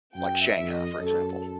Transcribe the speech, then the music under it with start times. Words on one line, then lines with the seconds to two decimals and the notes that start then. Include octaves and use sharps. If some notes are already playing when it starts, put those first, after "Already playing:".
like Shanghai, for example.
0.16 F#2 G5
0.44 E5
0.58 F2
0.73 D#5
1.00 F#2 A4